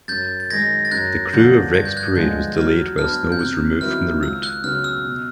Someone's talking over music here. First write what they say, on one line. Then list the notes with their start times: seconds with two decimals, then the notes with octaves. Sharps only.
The Krewe of Rex Parade was delayed while snow was removed from the route.
0.08 F#2 G6 A6
0.40 A6
0.50 D#3 G#3 G#6 A#6
0.85 A6
0.91 F#2 F#6 G#6
1.33 D3 F3 G6
1.74 G2 G#6
1.85 G6
1.97 F#6 G#6
2.15 D3 F3 G#3 G6
2.56 F#3 F6
2.98 B3 D4 F6
3.32 G6
3.39 C3 F#6
3.81 D#3 F#3 B3 E4 F6
4.23 C#2 E6
4.43 F#6
4.64 C#3 F#3 B3 F6
4.84 E6
5.05 B2